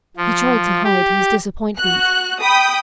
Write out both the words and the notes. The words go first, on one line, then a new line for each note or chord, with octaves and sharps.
He tried to hide his disappointment.
F3
G4
F#4 F#6
G5 B5 D#6